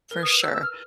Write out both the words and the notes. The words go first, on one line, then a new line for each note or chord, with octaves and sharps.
For sure.
A#4
B4 D#6
E6
E6
F6